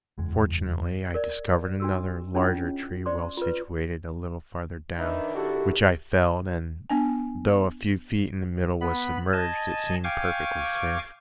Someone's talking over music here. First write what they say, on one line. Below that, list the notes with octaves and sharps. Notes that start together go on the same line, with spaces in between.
Fortunately, I discovered another larger tree well situated a little farther down, which I felled, and though a few feet in the middle was submerged, it seemed perfectly safe.
F#1 E2 G#3
A#4 D5
D4 F#4 E6
C#4 D4 F4 G#4 C#5 D#5
C5 D5 C6 D6
F4 B4
D#3 D4 D#4 B4 E5
E4 F#4 G4 A4
B3 D4 G#5
B3 B5
D#5 G#5 A5
F5 G5 G#5 C#6 D6